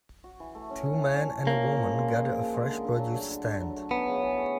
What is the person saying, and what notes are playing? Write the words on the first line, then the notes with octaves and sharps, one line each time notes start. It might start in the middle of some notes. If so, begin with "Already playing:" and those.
Two men and a woman gather a fresh produce stand.
F#4
E3
A3
C#4
F#4
E3
A3
C#4
A#2 A#3
A#2
F3
G#3
A#2
A#2
F3
G#3
D3
D3
F#3
A3
D3
D3
F#3
A3
B3 C#4
C#3
E3
A3